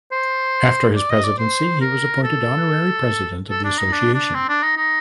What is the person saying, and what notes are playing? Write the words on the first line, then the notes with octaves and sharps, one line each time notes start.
After his presidency he was appointed Honorary President of the Association.
C5
D5
D#5
D5
C5
A#4
A4
A4
D4
D#4
D4
D4
C4
D4
D#4
D#4